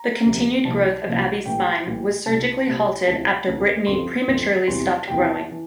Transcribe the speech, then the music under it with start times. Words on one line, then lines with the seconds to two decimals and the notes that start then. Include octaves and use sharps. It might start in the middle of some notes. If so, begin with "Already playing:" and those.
The continued growth of Abby's spine was surgically halted after Brittany prematurely stopped growing.
Already playing: A#5
0.25 D2 C3 F3
0.65 C2 A#2 F3 A5
1.06 C2 A#2 F3
1.45 A#1 A2 E3 G3 G5
1.86 A#1 A2 E3 G3
2.26 C2 A#2 G3 A5
2.67 C2 A#2 G3
3.07 D2 C3 E3 A5
3.47 D2 C3 E3
3.87 G1 F2 D3 F3 C6
4.28 G1 F2 D3 F3
4.67 E2 C3 E3 G3 C6
5.08 E2 C3 E3 G3 G5
5.22 A5
5.35 A5
5.51 E3